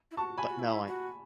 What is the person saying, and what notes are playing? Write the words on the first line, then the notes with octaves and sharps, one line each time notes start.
but no, I
E4
F#4 A5 C#6
G#5 B5
F#4
E4
F#4